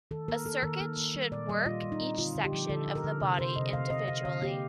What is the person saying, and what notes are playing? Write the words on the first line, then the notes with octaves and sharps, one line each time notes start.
A circuit should work each section of the body individually.
D#3 A4
A#3 A#4
A#3 A4
D#3 A#4
A#3
A#3
G3
A#2 D5
G3 D#5
A#2 F4
G3
D#4
C4
D3 F4
D3
G4
F3
D3 A4
D3
A#4
D3
C3
C3 C5
C3 D#5
C3 F5
C4 D#5
C4 F5
D3 F5
A#3 G4